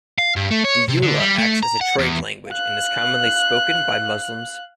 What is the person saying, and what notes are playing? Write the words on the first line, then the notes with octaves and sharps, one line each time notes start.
Dyula acts as a trade language and is commonly spoken by Muslims.
F5
G2
A3
C#5
C3
D3
G3
A3
A#5
F#5
E2
F5 F#6